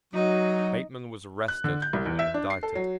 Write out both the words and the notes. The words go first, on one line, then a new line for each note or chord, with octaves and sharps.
Bateman was arrested and indicted.
F#3 D#4
F#6
D3
G6
C2
E2
E5
D4
C7
A4
F#3